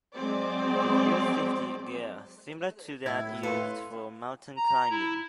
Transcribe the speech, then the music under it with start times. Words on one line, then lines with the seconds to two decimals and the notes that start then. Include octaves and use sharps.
They use safety gear similar to that used for mountain climbing.
0.14 F#3 G#3 C4 D5
3.06 A2 E4 E5 G#6
3.43 A4 B4 F5 C6
4.56 A#5
4.90 E4